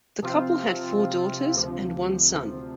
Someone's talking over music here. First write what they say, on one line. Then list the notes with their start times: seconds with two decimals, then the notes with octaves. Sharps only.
The couple had four daughters and one son.
0.23 C3 F3 C4 F4
1.54 D2 C3 F3